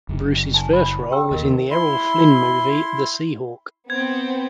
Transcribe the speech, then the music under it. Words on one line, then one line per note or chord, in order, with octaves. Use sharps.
Bruce's first role was in the Errol Flynn movie The Sea Hawk.
F#1 F#2
G#5 A5
B5
G4 G5 E6
D#2 A#4 D#5
E4 C6
B3 C4 G#6